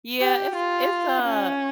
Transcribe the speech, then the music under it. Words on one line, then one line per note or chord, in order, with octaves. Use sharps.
Yeah, it's it's a
G4
F4
C#4